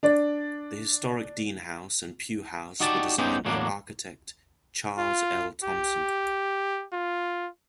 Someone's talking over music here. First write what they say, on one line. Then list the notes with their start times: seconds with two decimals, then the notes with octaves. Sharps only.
The historic Dean House and Pugh House were designed by architect Charles L. Thompson.
0.03 D4 D5
2.80 D#4 F#4 G4 D5 A5
3.18 B3 C#4 D#4 G4 G#4 C5
3.45 E2 A2 F#3 A#3 D4
4.98 F4
5.64 G4
6.93 F4